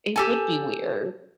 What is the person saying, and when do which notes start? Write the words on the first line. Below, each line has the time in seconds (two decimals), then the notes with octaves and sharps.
It would be weird.
0.16 G4 A4 G#5